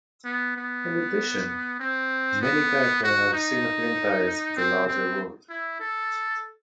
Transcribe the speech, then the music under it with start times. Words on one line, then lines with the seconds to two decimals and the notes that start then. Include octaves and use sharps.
In addition, many character have significant ties with the larger world.
0.25 B3
0.56 B3
1.80 C4
2.42 B3
3.03 F#4
3.33 D#4
4.57 C4
4.87 C4
5.50 E4
5.80 A4